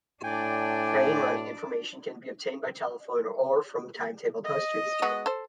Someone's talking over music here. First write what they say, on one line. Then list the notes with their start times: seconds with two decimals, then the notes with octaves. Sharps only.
Train running information can be obtained by telephone or from timetable posters.
0.23 A2 D4 D5 G5 G#5
4.46 D#5
5.02 G#3 B3 F#4
5.26 A4 C5